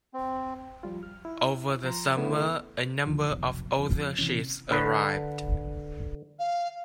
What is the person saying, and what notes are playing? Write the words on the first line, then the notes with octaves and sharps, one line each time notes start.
Over the summer a number of other ships arrived.
C4
F3 G3 F4
F6
E4
F3 A#5 C6
A2 C#3 B3 D4
D2 D3 D#3 F3
F1 B1 B2
F2
C3 E3 C#4
D3 B4
F5